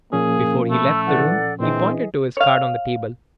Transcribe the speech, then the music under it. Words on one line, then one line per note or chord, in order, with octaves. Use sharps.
Before he left the room he pointed to his card on the table.
A#2 F3 A#3 C#4 G#4
A3 B5 E6
E3 A4 D5 F#5
A#2 E3 C4 D4 G#4 D#5
C#5 F5